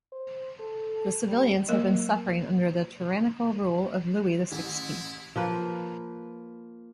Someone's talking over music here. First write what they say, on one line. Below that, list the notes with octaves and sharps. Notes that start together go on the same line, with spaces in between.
The civilians have been suffering under the tyrannical rule of Louis, the sixteenth.
C5
A4
G3
F#3 G#3 A#3 A#4 D#5
A1 E4
F3 A#3 B4